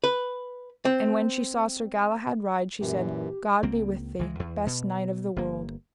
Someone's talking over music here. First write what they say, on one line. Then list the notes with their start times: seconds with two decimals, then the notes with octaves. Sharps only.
And when she saw Sir Galahad ride, she said: God be with thee, best knight of the world.
0.04 B4
0.85 C4
2.81 F#2 A#2 E3 G4
3.63 C#2 A#3 C4
4.19 C#2 E3 G#3
4.40 E2
4.67 B2
5.36 G1 A#3